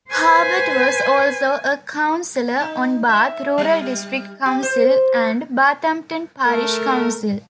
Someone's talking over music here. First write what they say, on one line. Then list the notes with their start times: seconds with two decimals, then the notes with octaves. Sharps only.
Harbutt was also a councillor on Bath rural district council and Bathampton parish council.
0.10 B4 C5 G#5
2.61 D#4
3.09 E5
3.58 G3
4.46 G4
4.63 C5
6.46 A3 A#4